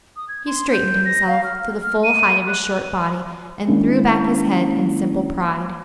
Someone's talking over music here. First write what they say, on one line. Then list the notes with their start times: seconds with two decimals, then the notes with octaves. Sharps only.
He straightened himself to the full height of his short body and threw back his head in simple pride.
0.16 D#6
0.29 G#6
0.47 C6
0.72 G6
1.05 A#6
1.27 F5
1.44 F6
1.83 F6
2.04 D#7
2.47 F#6
3.68 D#3 G#3 A#3 C#4 D4 E4